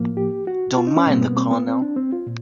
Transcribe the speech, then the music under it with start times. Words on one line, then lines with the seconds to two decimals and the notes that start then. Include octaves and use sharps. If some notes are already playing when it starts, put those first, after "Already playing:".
Don't mind the Colonel.
Already playing: A2 F3 A#3
0.17 G4
0.47 F#4
0.77 F4
0.87 D#4
0.97 C#4
1.06 B2 G3 A#3 C4
1.22 B3
1.37 C4
1.51 B3
1.67 C4
1.82 D4
1.97 C4
2.12 F4
2.27 A#2